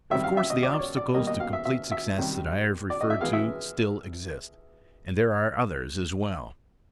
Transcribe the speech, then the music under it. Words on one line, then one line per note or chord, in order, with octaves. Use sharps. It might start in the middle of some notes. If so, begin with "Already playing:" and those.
Of course the obstacles to complete success that I have referred to still exist, and there are others as well.
D#3 G3 C4 E5
F5
E5
D#5
D5
D5
C#5
D5
B2 G3 A#3 D#5
D#5
F5
E5
E5
E5
C3 D#3 G3
D5
D#5
E5
E3 G#3 B3 F5
E5